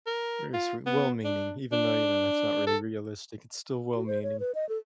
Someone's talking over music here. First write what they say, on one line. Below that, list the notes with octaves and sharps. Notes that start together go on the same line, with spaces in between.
Very sweet well meaning, even though, you know, that's not really realistic, it's still well meaning.
A#4
F4
B3
D4
D4
A4
F#4
C5
C#5
B4
D#5
A4